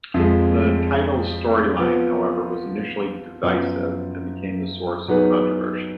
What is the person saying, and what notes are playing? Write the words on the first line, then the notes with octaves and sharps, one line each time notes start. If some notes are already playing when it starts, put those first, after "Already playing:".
The title's storyline, however, was initially divisive and became the source of controversy.
F2 F3 G#3
F3 B3 F4
F#2 F3 B3
F#3 B3 D#4 G#4 B4